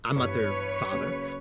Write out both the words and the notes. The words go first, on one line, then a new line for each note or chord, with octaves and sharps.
I'm not their father,
G2 E3 G3 B3 B4 C#5
C#3 F#3 A#3 C#4